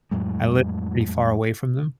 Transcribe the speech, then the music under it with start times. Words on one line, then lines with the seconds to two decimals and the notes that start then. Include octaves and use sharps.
I live pretty far away from them.
0.11 F2 A2 F#3 G#3